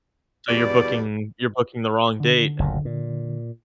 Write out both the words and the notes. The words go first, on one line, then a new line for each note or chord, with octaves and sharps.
So, you're booking you're booking the wrong date.
E2 B2 G3 D5
D3
F#1 D2 A#2
A#2